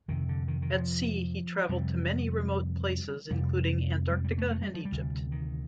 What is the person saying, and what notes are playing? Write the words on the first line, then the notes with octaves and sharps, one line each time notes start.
At sea he traveled to many remote places, including Antarctica and Egypt.
F2 C3 D#3
D3
D#3
D#3
F3
F2 C3 G3
F2 C3 G3
G3
G3
A#3
A3
A3
G3
F3
G3
D2 C3
D#3